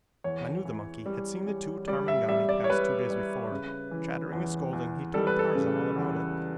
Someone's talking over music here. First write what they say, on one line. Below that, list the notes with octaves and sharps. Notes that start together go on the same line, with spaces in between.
Manu, the monkey, had seen the two Tarmangani pass two days before. Chattering and scolding, he told Tarzan all about it.
E2 C#5
E3
G3
G3
G3 D5
E5
G3 E5
D5
C#5
G3 B4
G3
C#3
E3
E2
E2
G3 A4
B4
A4
C#3
E2